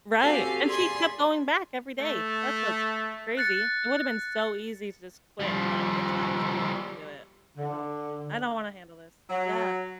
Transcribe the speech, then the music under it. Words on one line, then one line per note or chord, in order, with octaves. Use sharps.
Right, and she kept going back every day, that's what's crazy. It would've been so easy to just quit and be like, "It's fine, someone else can do it. I don't I don't wanna handle this." Yeah.
C4 F#4 G4 A4 F5 G#5
G#4 D5 G#5 B5 C6
A3
F#6 A6 C#7
F3 G3
D3
F#3